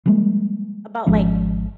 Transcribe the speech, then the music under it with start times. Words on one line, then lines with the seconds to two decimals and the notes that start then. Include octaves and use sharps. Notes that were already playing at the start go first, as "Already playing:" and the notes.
about, like,
0.06 F3 G3 G#3 A#3
1.07 G#1 F3 G#3 C#4